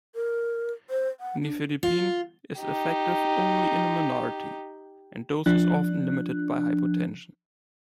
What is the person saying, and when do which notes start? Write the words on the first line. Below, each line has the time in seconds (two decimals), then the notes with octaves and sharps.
Nifedipine is effective only in a minority, and dose is often limited by hypotension.
0.15 A#4
0.90 C5
1.20 F#5
1.43 D4
1.83 F4
2.60 D#4 G4
5.46 F3 D4 F#6